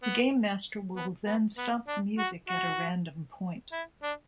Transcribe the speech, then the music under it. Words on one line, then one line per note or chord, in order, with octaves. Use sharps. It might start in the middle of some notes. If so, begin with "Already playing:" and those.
The game master will then stop the music at a random point.
B3
B3
B3
B3
D4
F#4
F#4
E4
D4